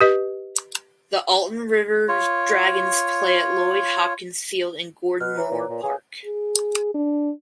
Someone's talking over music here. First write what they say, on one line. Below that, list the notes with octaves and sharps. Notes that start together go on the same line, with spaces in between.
The Alton River Dragons play at Lloyd Hopkins Field in Gordon Moore Park.
G4 B4 D#5
F4 C#5
B2 F6 F#6
E3 B4 C#5 A#5
A#2
A#2
G#4 B4 C#5 F5
G#4
D4